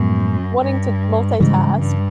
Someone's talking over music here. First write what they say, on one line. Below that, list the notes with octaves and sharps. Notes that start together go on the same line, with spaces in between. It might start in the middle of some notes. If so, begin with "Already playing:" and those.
wanting to multitask,
Already playing: F#2 A2 F3 G#3 B3
G2
G#2 C#3 E3 G3
G2